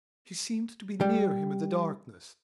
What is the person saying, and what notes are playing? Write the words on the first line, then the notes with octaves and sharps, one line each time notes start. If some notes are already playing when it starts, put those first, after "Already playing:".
She seemed to be near him in the darkness.
G3